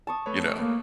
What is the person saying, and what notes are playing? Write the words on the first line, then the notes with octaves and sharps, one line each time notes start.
you know,
A5 C#6 D#6
A3 B4 C#5
A#3